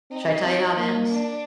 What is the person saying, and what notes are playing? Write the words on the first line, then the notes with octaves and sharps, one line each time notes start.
should I tell you how it ends?
C4 D#4
C4
A#3
D4